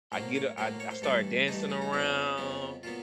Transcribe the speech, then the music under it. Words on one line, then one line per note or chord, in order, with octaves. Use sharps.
I get u I I started dancing around,
A2 F#3 A#3 C5
C#5
A2 F#3 A#3 C5
C#5
C5
G2 E3 A3 A4
G2 E3 A3 D#4
D4
C#4
D#4
F2 C#3 F#3 B3 E4
F2 C#3 F#3 B3
A#2 F#3 B3 F4